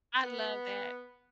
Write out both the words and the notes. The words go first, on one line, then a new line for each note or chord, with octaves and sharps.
I love that.
B3